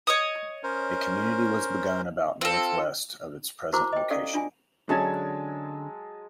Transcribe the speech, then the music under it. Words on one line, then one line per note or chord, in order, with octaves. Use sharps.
A community was begun about northwest of its present location.
C#5 D#5 D#6
C#4 A#4 C5
C4 F4 A4
E4 F#4 A#4 C5 A#5 D6
D#5 G5
C#4 A4 D5 F5 F#5
D4 F4 G#5
D3 F#3 G#3 C#4 D4 A5 G#6